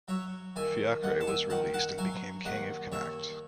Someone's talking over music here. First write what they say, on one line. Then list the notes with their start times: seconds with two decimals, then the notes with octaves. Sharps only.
Fiachrae was released and became king of Connacht.
0.08 F#3 C#5 E5
0.56 D#2 E5 G#5
1.03 D#2 D#5 F#5
1.21 A5
1.27 E5 G#5
1.50 D#3 F#5 A5
1.74 F#5 A5
1.98 F#3 E5 G#5
2.45 D#2 D#5 F#5
2.92 D#2 C#5 E5